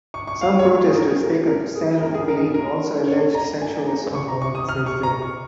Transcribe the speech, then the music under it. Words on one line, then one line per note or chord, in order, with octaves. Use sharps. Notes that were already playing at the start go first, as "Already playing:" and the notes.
Some protesters taken to San Uk Ling also alleged sexual assault by officers there.
C#6
C#6
F5
C#5
G#4
A#4
A#4
A#4
G#4
A#4
G#4
A#4
G#4
A#4
C#5
A#5
G#5
A#5
C#6
A#5
C#6
D#6
F6
C#6
A#5
C#6